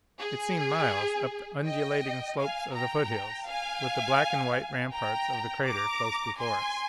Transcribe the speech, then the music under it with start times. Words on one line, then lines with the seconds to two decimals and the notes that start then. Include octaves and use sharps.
It seemed miles up the undulating slopes of the foothills with the black and white ramparts of the crater close before us.
0.18 G#4
1.64 D#5 G5
2.37 F5 G#5
2.74 G5 A#5
3.47 F5 G#5
4.92 G5 A#5
5.64 A#5 D6
6.38 G#5 C6